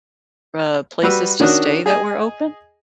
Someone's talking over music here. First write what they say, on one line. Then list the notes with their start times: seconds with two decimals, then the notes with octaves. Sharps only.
uh, places to stay that were open?
1.03 G3 F#4 B4 E6
1.40 D#3 C#4 D4 F#4 D#6 F#6
1.86 G#4 D#5 G#5